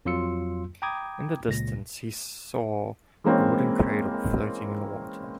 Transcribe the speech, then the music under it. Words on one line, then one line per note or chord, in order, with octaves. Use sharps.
In the distance he saw a wooden cradle floating on the water.
F2 F#3 F4 C6 E6 C#7
G5 A#5 B5 D6 D#6 G#6
C#2 A#2 A#6
E3 G#3 A#3 C4 C#4